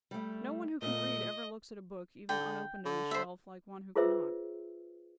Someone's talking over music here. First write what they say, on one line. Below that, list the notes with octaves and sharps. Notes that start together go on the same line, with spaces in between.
No one who can read, ever looks at a book, even unopened on a shelf, like one who cannot.
G3 A3
D2 A#2 A3 D#5
D3 G5
D3
C5 E5
F4 G#4 B4 C5 E5 E6